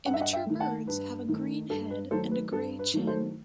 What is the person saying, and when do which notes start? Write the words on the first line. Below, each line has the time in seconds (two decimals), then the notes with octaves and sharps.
Immature birds have a green head and a grey chin.
0.05 G2 F#5
0.14 E5
0.21 D#5 F#5
0.33 E5 G5
0.46 D#3 A3
0.60 F#5 A5
0.87 G2 B4
1.29 D#3 A3
1.70 G2 A4
1.91 B4
2.11 D#3 F#3 A3 A4 C5
2.31 B4
2.52 G2 A4
2.79 B4
2.94 D#3 F#3 A3
3.07 A4 C5